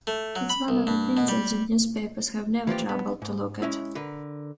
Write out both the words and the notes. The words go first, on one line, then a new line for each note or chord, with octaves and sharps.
It's one of the things that the newspapers have never troubled to look at.
A3
F#3
B5
C2
G2
B2
G3
E3 F3 F4 G4
B3
G#2
G#3 C#4 E4
D3 A#4 B4